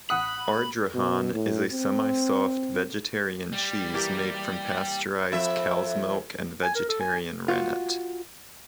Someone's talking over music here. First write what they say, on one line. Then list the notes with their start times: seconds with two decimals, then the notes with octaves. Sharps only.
Ardrahan is a semi-soft vegetarian cheese made from pasteurised cow's milk and vegetarian rennet.
0.10 A1 F#5 B5 D#6 F#6
0.94 B2
1.33 A2
1.72 C4
3.52 G3
3.93 E3 A#3 G4
5.32 F2 E5
6.63 G#5
6.75 A#4
6.89 A4
7.01 G#5
7.48 F4 F#4